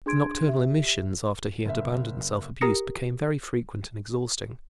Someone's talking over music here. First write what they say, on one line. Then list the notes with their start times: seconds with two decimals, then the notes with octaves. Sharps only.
The nocturnal emissions, after he had abandoned self-abuse, became very frequent and exhausting.
0.06 D4 G#4 C6 G#6 D7
0.47 G4 E5
1.65 F#1 E5
2.61 G4 A#4 A#5 D#6 A#6 C#7